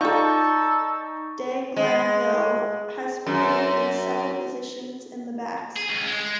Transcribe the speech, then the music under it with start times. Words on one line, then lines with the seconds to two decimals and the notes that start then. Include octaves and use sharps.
De Glanville has played in several positions in the backs.
0.01 D#4 F4 A4 D5 A5 C#6 E6 G6
1.77 G#3
3.26 F#2
5.77 G#4
5.90 C#2
6.06 G#3
6.20 G#3